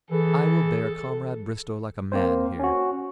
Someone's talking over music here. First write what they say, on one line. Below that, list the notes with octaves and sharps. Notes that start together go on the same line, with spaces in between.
I will bear Comrade Bristow like a man here.
E3 G#4 A4
A#3 C4 C5
C#4 F#4